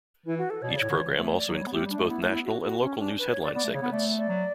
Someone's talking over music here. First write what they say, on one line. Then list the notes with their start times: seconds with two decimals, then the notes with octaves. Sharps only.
Each program also includes both national and local news headline segments.
0.26 E3 E4
0.38 F#4
0.50 A4
0.62 B2 C#5
0.70 C#3 D5
0.77 A2 C#5
0.90 D3
0.99 E3
1.17 A3
1.36 D5
1.48 F#3
1.54 C#5
1.60 G3
1.66 B3
1.72 A3 G4
1.85 G3
1.90 D4
1.96 A3
2.08 B3 E4
2.21 A3 E4
2.32 B3
2.45 F#4
2.64 F#4
2.82 C#4
3.00 D4
3.19 B4
3.31 C#5
3.43 D5
3.55 B3 D5
3.64 A3
3.73 C#3 C#5
3.82 B3
3.92 A3 D5
4.18 D5
4.28 F#3